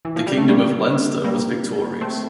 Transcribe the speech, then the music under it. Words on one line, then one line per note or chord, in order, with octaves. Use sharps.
The Kingdom of Leinster was victorious.
E3
F3
G3
A3
G3 A#3
G3 A#3
A3 C4